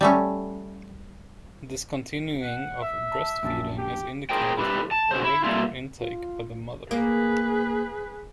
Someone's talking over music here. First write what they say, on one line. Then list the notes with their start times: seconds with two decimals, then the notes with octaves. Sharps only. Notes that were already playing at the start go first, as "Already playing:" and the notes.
Discontinuing of breast-feeding is indicated for regular intake by the mother.
0.01 G3 A3 C#4
2.41 F#5
2.81 E5
3.12 A5
3.43 A#1 F#2 A5
3.78 G4
4.30 F4 G#4 A#4 C5 G5
4.58 E4 G4 B4
4.91 A5
5.11 C#3 F#3 C5
5.24 E4
5.44 G3 A3 A#3 E4 F4
6.02 F4
6.91 A#3 G#4 B4